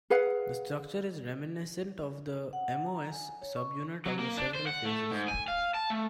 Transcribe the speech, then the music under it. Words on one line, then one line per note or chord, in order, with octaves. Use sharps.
The structure is reminiscent of the MoS subunit of the Chevrel phases.
G#4 B4 F5 F#5
F#5
A#5
G#5
C#5
C#6
F#3
A#3
D4
C5
F#5
A3
G#2
G#5
F5
A5
A3